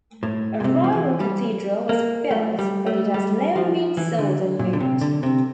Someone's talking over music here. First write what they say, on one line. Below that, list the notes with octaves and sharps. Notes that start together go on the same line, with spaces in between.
A rival cathedral was built but it has long been sold and moved.
A2
A#2
C3
F3
E3
G3
A#3
A3
G3
A3
G3
F3
E3
D3
A#2
D3
C3
D3
C3